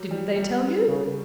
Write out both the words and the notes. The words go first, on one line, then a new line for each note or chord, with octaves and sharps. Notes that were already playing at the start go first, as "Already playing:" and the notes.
Didn't they tell you?
Already playing: F#3
G3
G3
C#3